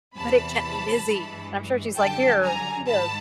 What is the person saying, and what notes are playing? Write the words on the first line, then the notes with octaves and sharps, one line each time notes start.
but it kept me busy. And I'm sure she's, like, "Here, do this."
E2 C3 E3 A5 B5
G2 E3 G#3
F#2 D3 G3 G5 A5
G#5 A#5
G#2 D#3 A5 B5